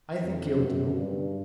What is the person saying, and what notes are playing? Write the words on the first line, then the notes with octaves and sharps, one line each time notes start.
"I think he'll do."
F2
F#2
G2